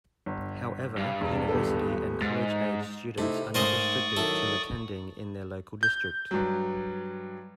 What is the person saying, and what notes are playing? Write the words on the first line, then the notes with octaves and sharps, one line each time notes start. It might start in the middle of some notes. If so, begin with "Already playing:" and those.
However, university and college-age students are not restricted to attending in their local district.
G1
G2
E1
D#1 B3 A4
G#2 A6
C3 A3 D#4 E4
G#2 A3 A#4 C5 D5 D#5 C#6 D#6
D#3 F#3 E4 A4
G6
G2 F#3